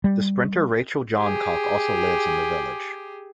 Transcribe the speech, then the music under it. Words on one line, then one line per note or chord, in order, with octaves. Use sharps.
The sprinter Rachel Johncock also lives in the village.
G3
G4 G#4